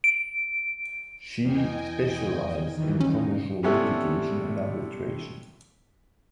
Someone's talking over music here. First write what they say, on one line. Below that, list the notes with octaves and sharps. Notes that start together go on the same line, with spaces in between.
She specialize in commercial litigation and arbitration.
D7
E2 D#5 G5 G#5
C#3
D#3 E3
C#4 D#4
C3 G3 B3 C#4 E4 A4